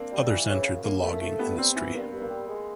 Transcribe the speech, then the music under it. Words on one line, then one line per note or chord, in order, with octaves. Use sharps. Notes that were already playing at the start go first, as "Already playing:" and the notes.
Others entered the logging industry.
Already playing: A#3 C4 D4
G3
E3
C#3
F#2
F#2 A#3
A3
A3
G2 B3
G3 C4
E3 B3
G2 A#3
G2
A#3
G3
G#3